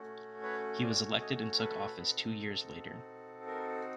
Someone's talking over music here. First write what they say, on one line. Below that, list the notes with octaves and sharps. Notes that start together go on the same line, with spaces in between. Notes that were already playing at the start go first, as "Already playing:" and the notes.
He was elected and took office two years later.
Already playing: A3 C#4 F#4
B4 C#5
C5 D5
C#5 D#5
A4 B4
C4 D#4 F#4 A4
A#4